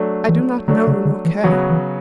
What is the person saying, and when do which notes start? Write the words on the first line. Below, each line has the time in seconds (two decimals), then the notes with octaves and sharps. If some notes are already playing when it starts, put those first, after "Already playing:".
I do not know, nor care.
Already playing: F#3 A3 D4
0.28 E3
0.68 D3 F#3 A3 D4
0.87 C#3
1.05 D3
1.25 E3
1.44 C#3 E3 F#3 B3 F#4 C#5
1.70 E3